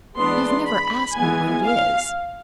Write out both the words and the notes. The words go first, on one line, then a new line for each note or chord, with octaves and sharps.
You've never asked me what it is.
E3 G#3 B3 D4 C6
B5
E3 G#3 B3 G#5
F5